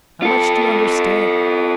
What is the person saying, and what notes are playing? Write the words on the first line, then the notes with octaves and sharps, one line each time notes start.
How much do you understand?
F4 A4